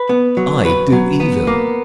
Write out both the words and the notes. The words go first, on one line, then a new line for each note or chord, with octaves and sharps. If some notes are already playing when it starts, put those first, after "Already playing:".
I, do evil!
Already playing: B4
B3
F#3
B4
F#3
B3
A#3